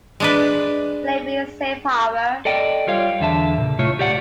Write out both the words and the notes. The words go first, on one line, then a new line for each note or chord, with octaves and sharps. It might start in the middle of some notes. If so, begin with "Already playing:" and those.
"Slavery Safe Harbor".
G#3 D4 B4
A4 D5 D#5 G5
G3 F4 C#5 F5
E2 D3 E5 A5
A#2 C#3
B1 A2 C3 A3 F4 C#5
D2 G4 D5 F#5